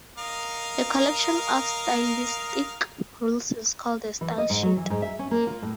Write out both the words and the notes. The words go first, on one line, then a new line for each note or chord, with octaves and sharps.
A collection of stylistic rules is called a style sheet.
A#4 D#5 F5
E3
D#5
G#2
F#3
E3
G#2
E5
C#4
A#3
F4
A2